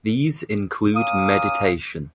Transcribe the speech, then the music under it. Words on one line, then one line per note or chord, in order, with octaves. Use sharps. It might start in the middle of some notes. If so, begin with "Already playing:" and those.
These include mediation.
A#3 C#4 F5 D#6